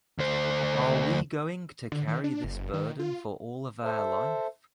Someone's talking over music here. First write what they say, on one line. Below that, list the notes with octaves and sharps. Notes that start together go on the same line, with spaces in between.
Are we going to carry this burden for all of our life?
D2 C5
D3
D#3
D4
F#1
D#3
F4
A4 C5 E5